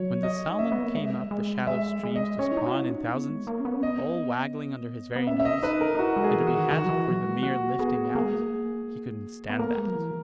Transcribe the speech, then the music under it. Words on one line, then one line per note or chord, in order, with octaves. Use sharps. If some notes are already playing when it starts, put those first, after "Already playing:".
When the salmon came up the shallow streams to spawn in thousands, all waggling under his very nose, and to be had for the mere lifting out, he couldn't stand that.
Already playing: F#3 C#5
D#5
D#4
C#4 E5
B3
A#3
G#3 E5
G#3
G#3 E5
G#3
D#5
C#4 C#5
E4
D#4
F#4
E4
C#4
D#4
B3
G#3
A#3
C#4
B3
C#4
B3 D#5
B3
C#4 E5
E5
D#5
D#4 B4
A#4
D#4
E4 F#4
G#3
G#4
E3
F#4
D#3
D#3 F#4
F#3
E3
F#3
G#3
A#3 F#4
B3 G#4
A#3 G#4
G#3
A#3
B3
A#3 A#4
G#3
F#3
E3